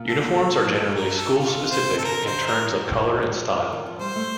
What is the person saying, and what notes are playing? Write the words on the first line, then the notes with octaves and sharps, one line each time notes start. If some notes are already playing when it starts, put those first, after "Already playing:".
Uniforms are generally school-specific in terms of colour and style.
Already playing: A#2
A4
A4
A#4
A4
C3 F4
C5
C3
A4
D3 A#4
C5
A#4
D#3
D#3
F3
D#3
F3
G3 C5
A3